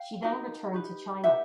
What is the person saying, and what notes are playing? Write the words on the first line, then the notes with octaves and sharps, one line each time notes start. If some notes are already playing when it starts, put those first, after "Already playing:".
She then returned to China.
Already playing: F5 G5
D#4 F#4 A#4
D#4 G4 B4
D#4 G4 B4 E5 F#5